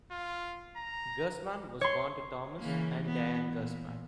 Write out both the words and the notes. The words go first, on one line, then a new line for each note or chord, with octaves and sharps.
Gerstmann was born to Thomas and Diane Gerstmann.
F4
A#5
C#5 C6
C#3 E3 A#3
B3
A#2